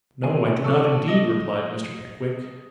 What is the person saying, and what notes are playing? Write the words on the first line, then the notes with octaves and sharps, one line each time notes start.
'No, I do not indeed,' replied Mr. Pickwick.
E3 C4 G#5
F3 A4 C#6 D6
D#5 A#6